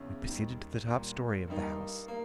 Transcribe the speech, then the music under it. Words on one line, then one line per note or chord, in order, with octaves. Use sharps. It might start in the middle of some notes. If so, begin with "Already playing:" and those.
We proceeded to the top-storey of the house.
Already playing: E2 C#3 C#4 E4
D#2 D#3 G3
A#2 G3 A#3
G2 G3 A#3 D#4
A#3